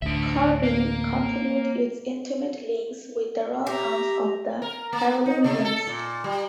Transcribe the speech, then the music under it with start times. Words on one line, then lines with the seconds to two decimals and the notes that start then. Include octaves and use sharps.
Corbie continued its intimate links with the royal house of the Carolingians.
0.02 A1 D2 D4 E5
0.63 A#3
3.67 G4 E5 A#5
4.62 A#4
4.93 A#3
5.26 D#4
5.44 C3
5.65 A4
5.87 A#2
6.24 G3